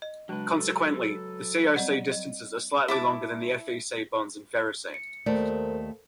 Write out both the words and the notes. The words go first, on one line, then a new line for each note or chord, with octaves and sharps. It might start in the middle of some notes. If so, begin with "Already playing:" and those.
Consequently, the Co-C distances are slightly longer than the Fe-C bonds in ferrocene.
D#5
C#3 F#3 G#3 D4 B4
A4
G3 C4 D5 D#5 F#5
D#5
E4 A5 D6
C#7
D#2 A3 A4 A#4 C5 D5